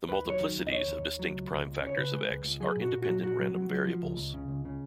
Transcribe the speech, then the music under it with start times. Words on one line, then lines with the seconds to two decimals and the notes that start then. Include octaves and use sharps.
The multiplicities of distinct prime factors of "X" are independent random variables.
0.09 D#2 B4
0.25 F#3 C#5
0.40 D#3
0.56 D#2
0.67 D#5
0.72 D#2 C#5
0.88 D#2
1.03 D#2
1.19 F#3
1.34 C#2
1.51 C#2
1.66 C#2
1.81 C#3
1.87 C#5
1.97 C#3 B4
2.13 G#3
2.29 C#2
2.45 C#2
2.60 F#3 G#4
2.76 A#2
2.82 F#4
2.92 A#2
3.02 F#4
3.08 F#3
3.23 A#2 F#4
3.39 F#3
3.55 F#3
3.70 F#3
3.85 F3
4.02 C#2
4.17 C#2
4.34 C#3
4.48 C#2
4.65 C#3